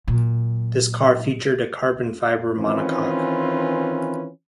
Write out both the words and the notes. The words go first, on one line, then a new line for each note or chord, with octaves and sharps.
This car featured a carbon fiber monocoque.
A#2 F#3
D#3 E3 C4 C#4 F4 B4